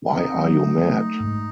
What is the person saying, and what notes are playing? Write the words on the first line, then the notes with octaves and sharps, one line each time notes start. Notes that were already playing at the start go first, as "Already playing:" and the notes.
Why are you mad?
C4 D#4
F#3
F#3
A3
A3
G#2